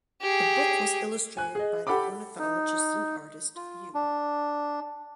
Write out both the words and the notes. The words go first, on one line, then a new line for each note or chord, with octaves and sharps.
The book was illustrated by the ornithologist and artist Yu.
G4 G#4
G#5 F#6
G#4 D#5
G4 A4 F#5 B5 D6
D#4
F4
D4